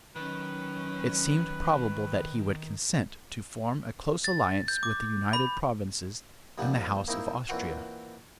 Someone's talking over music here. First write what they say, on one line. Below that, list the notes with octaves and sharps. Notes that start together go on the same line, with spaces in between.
It seemed probable that he would consent to form a close alliance with the United Provinces and the House of Austria.
D#3 F#3 C#4 B4
A6
G6
D6
B5
D#2 C3 F3 G3 F#5
A#3 C4 D#4 E4
A#2 E3 C4 F#4